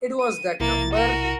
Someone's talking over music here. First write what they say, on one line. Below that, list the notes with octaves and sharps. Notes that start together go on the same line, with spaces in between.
It was that number.
D#7
B1 C3 A#3 E4 A6
F#4 A#4